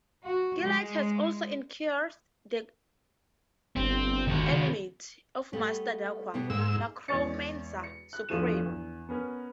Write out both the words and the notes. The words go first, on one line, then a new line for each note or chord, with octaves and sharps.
Gilad has also incurred the enmity of Master Darque - necromancer supreme.
F#4
G#3
G1 C4
D#3 F#4
C#3
G3 A3 B3
B2 G3 B3
G#2 A#3 E5 E6
D#4 G#4
E2 G#3 C#5 D5 A6 C#7
C#7
F#6
G1 E2 F3 A3 D#7 E7
E2
B3 C#4 A#4 B4